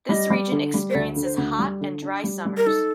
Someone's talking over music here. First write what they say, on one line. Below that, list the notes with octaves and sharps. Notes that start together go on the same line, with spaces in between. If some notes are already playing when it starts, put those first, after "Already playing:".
This region experiences hot and dry summers.
G3 D#5
G3
D3
G3
C5
D2 D5
D3
C5
D2
G3
D3
D4
G3
G3
A#4
D#4 A4